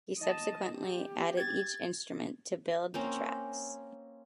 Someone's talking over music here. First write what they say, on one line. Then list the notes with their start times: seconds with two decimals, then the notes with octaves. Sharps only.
He subsequently added each instrument to build the tracks.
0.19 D#5 A5
0.76 G4
1.37 G#6 A6
2.94 A#3 C4 C#4 A#4